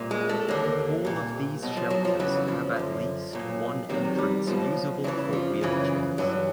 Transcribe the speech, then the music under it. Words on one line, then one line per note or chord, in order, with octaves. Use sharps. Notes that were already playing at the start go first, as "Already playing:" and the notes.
All of these shelters have at least one entrance usable for wheelchairs.
Already playing: C2 A#2
G#3
A3
D#2 D3 A#3
C2 A#2
B1 B2
F3
F#3
F3
F2 C#3 E3 F#3
F3
F#2 D3
B1 A#2
E2 C3 D#3 F#3
G3
B1 B2 F3
E2 C#3 E3 F#3
F3
F#2 C#3 E3
G2 E3 F#3